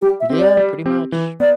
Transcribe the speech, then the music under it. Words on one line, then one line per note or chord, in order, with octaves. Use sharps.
Yeah. Pretty much.
G3 G4
E5
C4 G4
D5
G3
C4 G4
E3
B3 D5